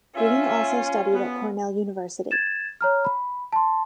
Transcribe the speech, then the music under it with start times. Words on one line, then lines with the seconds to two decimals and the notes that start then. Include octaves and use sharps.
Green also studied at Cornell University.
0.15 C#4 F4 E5
1.12 B3
2.31 G#6 A6 E7
2.81 C#5 A#5 F6
3.05 B5
3.52 A5 C6